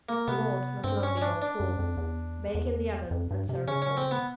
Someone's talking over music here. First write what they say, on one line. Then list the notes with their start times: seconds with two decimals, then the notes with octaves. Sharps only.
The mold must not be all full. Bake in the oven and serve cold.
0.09 A#3
0.28 C3 B3
0.84 G2 C4
1.03 C#4
1.17 C#4
1.22 D4
1.42 D4
1.60 F#2
1.79 F2
1.97 E2
2.55 E2
3.11 F2
3.31 G2
3.49 C3
3.68 C#3 C#4
3.82 C#4
3.97 C4
4.11 B3